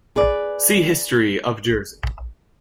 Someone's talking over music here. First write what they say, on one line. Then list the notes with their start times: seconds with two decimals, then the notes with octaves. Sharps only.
See History of Jersey.
0.16 G#4 B4 D5